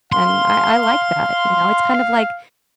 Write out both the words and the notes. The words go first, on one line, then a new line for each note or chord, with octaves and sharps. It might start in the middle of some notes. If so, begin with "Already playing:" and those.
and I I like that, you know? It's kind of like
F5 C6